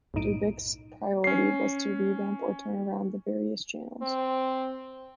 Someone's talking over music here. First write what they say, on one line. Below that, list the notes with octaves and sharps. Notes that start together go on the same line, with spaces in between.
Dubic's priority was to revamp or turn around the various channels.
B1 F#2 A2 D#4 D7 D#7
C#4 C7
C4